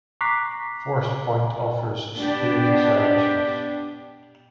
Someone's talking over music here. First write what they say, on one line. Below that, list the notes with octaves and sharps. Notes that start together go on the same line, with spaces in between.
Forcepoint offers security services.
A#5 C#6 D6 F#6 B6 C7
B3 D4 G4